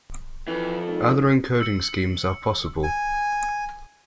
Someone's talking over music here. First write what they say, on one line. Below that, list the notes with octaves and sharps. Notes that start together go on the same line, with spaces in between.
Other encoding schemes are possible.
F2 E3
G#1
E6 C#7
G#5